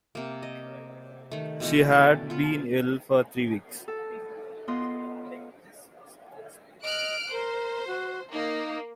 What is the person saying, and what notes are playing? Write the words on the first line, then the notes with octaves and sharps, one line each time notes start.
She had been ill for three weeks.
C3 A#3
D#5
D#3 A3
B2 E3 G#3 A3
D3 A5
B3 F4
A4
B3 F4 B4 D#5 C6
D#5 F6 F#6 D7
A#4 C5
F#4
A#3 D#4